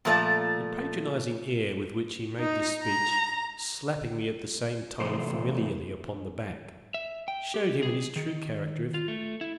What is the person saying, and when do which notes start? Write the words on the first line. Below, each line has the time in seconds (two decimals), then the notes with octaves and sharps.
The patronizing air with which he made this speech, slapping me at the same time familiarly upon the back, showed him in his true character of egotist.
0.05 A#2 F3 A3 C5 D5 A5
2.40 D#4
2.83 A#5
5.00 E2 C3 A3 C5
6.94 E5
7.28 G5
7.54 G4
7.83 G#4
8.16 D#3
8.94 F4
9.08 A3
9.41 E4